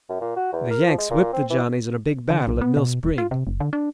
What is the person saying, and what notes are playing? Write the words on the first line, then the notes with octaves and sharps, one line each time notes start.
The Yanks whipped the Johnnies in a big battle at Mill Spring.
F#2
A#2
F#4
E2
A#4
F3
G#3
A#2
C4
E3
D3
B1
B3
B2
D#1
F4
C3
F#1
D3
D4